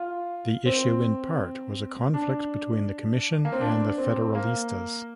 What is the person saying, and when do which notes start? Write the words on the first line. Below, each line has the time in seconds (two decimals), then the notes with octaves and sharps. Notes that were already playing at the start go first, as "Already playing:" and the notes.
The issue in part was a conflict between the Commission and the Federalistas.
Already playing: F4
0.66 C4
2.14 D4
3.45 A#3
3.53 C4
3.61 D4
3.98 C4
4.35 A#3